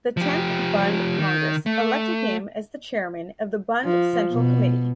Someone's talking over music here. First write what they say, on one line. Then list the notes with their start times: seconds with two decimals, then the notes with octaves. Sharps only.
The tenth Bund congress elected him as the Chairman of the Bund Central Committee.
0.17 F3 G4
1.19 D#3
1.66 A3
3.84 F3
4.31 B2